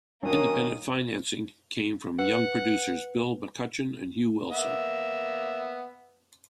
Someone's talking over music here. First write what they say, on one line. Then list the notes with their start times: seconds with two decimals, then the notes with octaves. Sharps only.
Independent financing came from young producers, Bill McCutchen and Hugh Wilson.
0.23 D#3 F#3 A#3 C#4 D4 D#6
2.19 B4 F#5
4.51 A#3 B3 E5